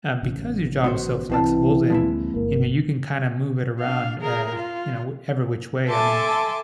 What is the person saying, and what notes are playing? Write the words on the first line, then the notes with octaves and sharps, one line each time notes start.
uh, because your job is so flexible, then, you know, you can kinda move it around, eh, you know, w every which way. I mean,
A1 C#3
B3 F#4 C5
C2 B2 E3 C4 A5
D2 F3 G#3 A#3 C4 E4
G1 A#3
D4 F5
G#4 A#4
F4
A4 E5 G#5 A5 C6 D6